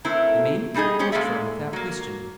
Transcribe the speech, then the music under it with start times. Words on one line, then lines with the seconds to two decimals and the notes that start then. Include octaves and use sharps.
The men worked for him without question.
0.05 A3 C4 E4 A#4
0.74 B2 G3 D#4 G#4 D#5
0.99 B3 C#4 G4 C5
1.12 G#3 A#3 A4 D5 E5
1.73 F#3 A#3